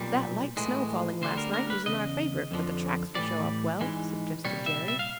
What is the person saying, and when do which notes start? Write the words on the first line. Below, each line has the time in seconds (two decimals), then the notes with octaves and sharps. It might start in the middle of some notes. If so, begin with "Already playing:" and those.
"That light snow falling last night was in our favor, for the tracks will show up well," suggested Jerry.
Already playing: B1 A#2 G3
0.57 A2 E3 G#3
1.22 D2 D3 G3 C5
1.38 A#4
1.54 A#4
1.70 B4
1.86 E2 C#3 D#5
2.51 F2 D3 F3
3.15 A2 E3 G3 D5
3.80 G#2 E3 G#3
4.45 C2 A#2 G3 C#5
4.66 E5
4.88 E5
4.99 F5